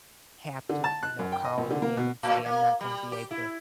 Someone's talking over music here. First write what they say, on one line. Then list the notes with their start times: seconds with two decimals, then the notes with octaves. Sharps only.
have to, you know, call in and say, "I'm not gonna be able to,
0.69 D3
0.84 A5
1.03 F#6
1.19 F#2
1.32 G5
1.45 D#5
1.58 A#1
1.70 D3
1.82 A#3
1.97 B2
2.23 A2
2.46 A#3
2.81 G3
3.12 G4
3.31 E4